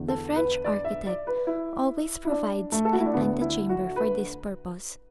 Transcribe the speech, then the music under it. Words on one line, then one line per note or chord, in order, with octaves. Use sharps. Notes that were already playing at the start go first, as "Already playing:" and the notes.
The French architect always provides an antechamber for this purpose.
Already playing: E2 D3
A4
B4
D5
E5
D5
B4
E4
E4
D4
A3
A4
F#4
E4
D4
D2 D3 B3
E4
F#4
B4